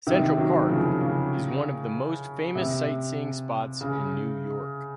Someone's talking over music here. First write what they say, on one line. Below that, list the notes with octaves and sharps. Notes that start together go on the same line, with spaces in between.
Central Park is one of the most famous sightseeing spots in New York.
C3 D#3
D#3 F#3
C#3 F3
C#3
C3
C#3